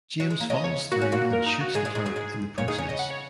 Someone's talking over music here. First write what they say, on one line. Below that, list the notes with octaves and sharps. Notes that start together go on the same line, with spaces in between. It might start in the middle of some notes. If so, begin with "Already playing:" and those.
James follows through and shoots the clerk in the process.
F#3
G#3
A#3
C#3 C#4 D#5
C#5
A#3 F#4
C#4
A#2 A#3 F#4
A#4
D#4
F#4
G#2 G#3 G#4
G#2 G#3
G#2 G#3
F#2 F#3
G#2 G#3
A#2 A#3 C#5
D#3 D#4 G#4
C#3 C#4 C#5
C#3 C#4 D#5
F#5
C#5